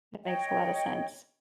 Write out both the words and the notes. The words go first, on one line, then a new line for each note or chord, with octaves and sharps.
That makes a lotta sense.
C#5 D#5 G5